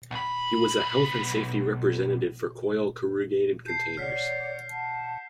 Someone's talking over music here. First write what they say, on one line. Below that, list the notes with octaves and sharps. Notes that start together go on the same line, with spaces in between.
He was a health and safety representative for Coyle Corrugated Containers.
B1 B5
A5 G6 C7
C#5 D5 F#5 F6 B6
F#5 A5